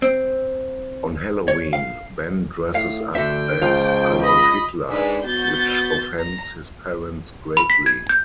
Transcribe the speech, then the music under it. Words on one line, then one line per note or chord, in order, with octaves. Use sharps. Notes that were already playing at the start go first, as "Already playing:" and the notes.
On Halloween, Ben dresses up as Adolf Hitler, which offends his parents greatly.
C4
C#5
F5
A2 F5
D2 D3 E5 G5
C#2 F3 F4
D#5 B5
G#2 D4 B4
B3 F#4 G6 A6
A#5
B5
B6
G#6
G6